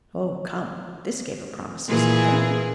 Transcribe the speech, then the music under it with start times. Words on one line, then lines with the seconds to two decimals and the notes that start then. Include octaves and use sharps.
Oh come! this gave a promise of something.
1.88 A#2 E3 G#4